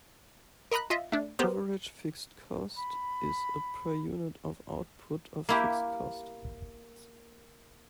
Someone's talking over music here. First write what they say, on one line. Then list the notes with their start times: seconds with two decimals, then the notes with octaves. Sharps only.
Average fixed cost is a per-unit-of-output of fixed costs.
0.72 A#4 D#5 A#5 B5 F#6
0.90 F4 D#5 E5
1.12 A3 D4
1.39 B3 G4 A#4 C5
2.76 B5
5.49 A#3 E4 G4